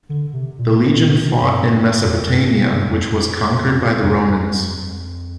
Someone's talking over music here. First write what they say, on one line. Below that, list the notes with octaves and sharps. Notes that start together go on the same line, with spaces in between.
The legion fought in Mesopotamia, which was conquered by the Romans.
D3
C3
A#2
A#2
C3
C3
G2
F2
G2
G2
F2
F2